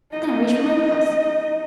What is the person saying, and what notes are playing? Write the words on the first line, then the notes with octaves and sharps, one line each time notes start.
Then I reached for my glass.
D#4 D#5